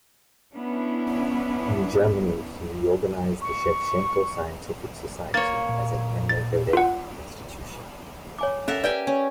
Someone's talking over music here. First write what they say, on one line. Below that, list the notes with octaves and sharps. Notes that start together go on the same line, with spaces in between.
In Germany, he reorganized the Shevchenko Scientific Society as an émigré institution.
B3 C#4 D4 E4
C#6
A#3 C#5 A6
A#2
A6
F4 F#5
C#5 G#5 D6
C#4 A4 A#4 E5 F#5
G4 B4 D5 G5 G#5
C#4